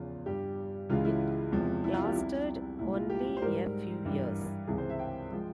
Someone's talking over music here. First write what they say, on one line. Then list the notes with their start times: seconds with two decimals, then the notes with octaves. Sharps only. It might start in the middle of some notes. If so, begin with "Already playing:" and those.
It lasted only a few years.
Already playing: E2 C#3 F3 F4
0.26 G2 G3 G4
0.90 C#2 C#3 E3 G#3 F4
1.05 E4
1.52 E2 C3 F3 G#3
1.84 E4
1.94 F4
2.04 G4
2.15 C2 C3 G3 E4
2.79 C2 A#2 G#3 E4
2.94 F4
3.10 G4
3.37 C5
3.42 G#2 G3 A#4
4.05 G2 E3 G3
4.67 C#2 C3 E3 G#4
4.78 C5
4.89 E5
4.99 G5
5.32 F3 G#3